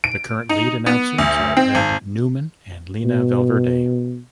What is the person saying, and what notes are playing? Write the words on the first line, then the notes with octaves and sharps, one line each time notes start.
The current lead announcers are Ed Newman and Lena Valverde.
D7
D#4
B3
D2
C4
G#1
B2